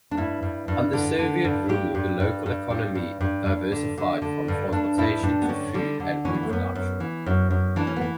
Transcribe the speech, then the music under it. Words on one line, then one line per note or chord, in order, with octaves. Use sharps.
Under Soviet rule, the local economy diversified from transportation to food and wood production.
D4
G2 E4
G2
G2
D3
D3
G2
G2 G4
G2
G2
G2
G2
G2
G2
G2
D3
D3
D3
G2
G2 D4
G2 E4
G2 D4
B3
D3 C#4
D3 G3
D3
E3 C#4
B3
A3
F#2 B3
F#2
E3
F#2
F#2
E3 D4
C#4
B3
E3